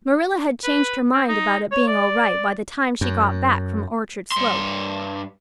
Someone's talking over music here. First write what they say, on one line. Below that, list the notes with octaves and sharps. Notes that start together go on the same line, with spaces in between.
Marilla had changed her mind about it being all right by the time she got back from Orchard Slope.
B4
C4
D#4
C#5
D5
F#2
G2 C6